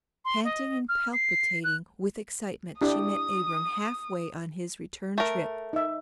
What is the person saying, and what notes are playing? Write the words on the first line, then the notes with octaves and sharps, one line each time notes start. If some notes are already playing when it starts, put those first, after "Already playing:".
Panting and palpitating with excitement, she met Abram half-way on his return trip.
C6
D#5
F6
C7
F#6
D4 E4 G4 D#6
A3 A#4
D#4 E5